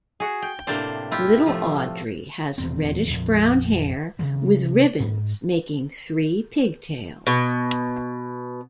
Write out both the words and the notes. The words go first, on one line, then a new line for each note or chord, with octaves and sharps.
Little Audrey has reddish brown hair with ribbons making three pigtails.
F#4 G#4
G5
A2 C3 A#3 D4 C5 D5
E4 F4 G4
F3 A3
D#1 E2 C4
A#1 F2
C3 D#3 E3 G3
G#2
B2